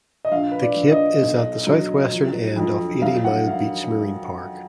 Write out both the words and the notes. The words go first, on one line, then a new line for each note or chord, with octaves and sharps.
The cape is at the southwestern end of Eighty Mile Beach Marine Park.
D#5
A#1 F5
B4
D5
A#1
D#5
B1
F#3
F3
F2
F#3 F5
F#5
D#3 F5